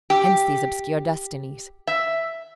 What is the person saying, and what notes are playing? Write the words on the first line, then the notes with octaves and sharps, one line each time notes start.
Hence these obscure destinies.
G4
E5